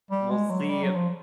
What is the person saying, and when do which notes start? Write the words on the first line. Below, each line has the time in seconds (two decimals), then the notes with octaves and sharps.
We'll see a
0.11 G3
0.31 G#3
0.50 F#3
0.70 G3
0.84 F#3
0.96 F3